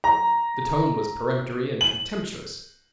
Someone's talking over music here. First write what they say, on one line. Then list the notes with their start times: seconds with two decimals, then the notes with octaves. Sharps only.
The tone was peremptory and contemptuous.
0.04 A#5
1.81 F#7